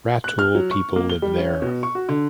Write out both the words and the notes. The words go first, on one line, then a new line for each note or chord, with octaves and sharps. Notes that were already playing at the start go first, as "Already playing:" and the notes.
Rutul people live there.
F#6
F6
F#3
C#6
A#3
G7
G3
C#4
B2
C#6
F#4
D3